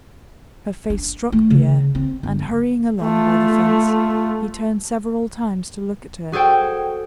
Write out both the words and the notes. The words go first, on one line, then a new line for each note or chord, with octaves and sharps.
Her face struck Pierre and, hurrying along by the fence, he turned several times to look at her.
D4
A3
C#3
C4
G1
A3 F4
F#4 G#4 A4 C5 G5